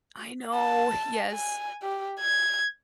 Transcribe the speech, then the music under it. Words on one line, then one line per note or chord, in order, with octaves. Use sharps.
I know, yes.
A5
G#5
G4
G#6